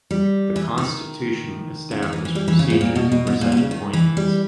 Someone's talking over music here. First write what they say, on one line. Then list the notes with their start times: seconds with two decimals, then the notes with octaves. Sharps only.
The constitution established procedures for such appointments.
0.11 G3
0.56 E3
0.78 D#3
1.91 C#3
2.02 D#3
2.13 E3
2.25 E3
2.35 G3
2.48 E3
2.59 C#3
2.70 G#2
2.81 A#2
2.95 B2
3.12 B2
3.27 G#2
3.41 A#2
3.52 B2
3.57 C#3
3.71 D#3
3.93 E3
4.17 G3